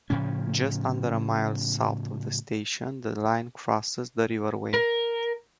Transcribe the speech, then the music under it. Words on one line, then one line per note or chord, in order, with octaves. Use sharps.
Just under a mile south of the station, the line crosses the River Wey.
A2 C#3 F3 C#4
A#4